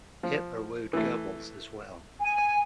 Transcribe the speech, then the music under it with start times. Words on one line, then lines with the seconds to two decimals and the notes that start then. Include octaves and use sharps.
Hitler wooed Goebbels as well.
0.23 F3
0.93 E3 A3
2.20 G#5